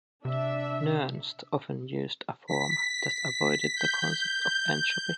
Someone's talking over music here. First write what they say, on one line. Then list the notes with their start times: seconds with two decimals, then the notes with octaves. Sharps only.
Nernst often used a form that avoided the concept of entropy.
0.25 C3 D4 E5
2.47 B6
3.75 G6